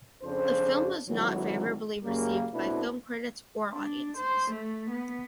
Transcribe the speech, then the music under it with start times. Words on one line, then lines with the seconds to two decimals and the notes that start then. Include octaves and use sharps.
The film was not favourably received by film critics or audiences.
0.23 F2 C#3 D4 C5
1.08 G#1 D3 E3 F#3
2.05 F#2 C#3 G3 A#3
2.53 B2 A3 C4 D4 E4 B4
3.73 D4
4.17 C5
4.51 A3
4.90 B3